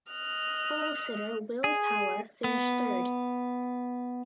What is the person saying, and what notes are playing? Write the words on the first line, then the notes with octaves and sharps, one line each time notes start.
Polesitter Will Power finished third.
D#5 F6 F#6
G#4
B3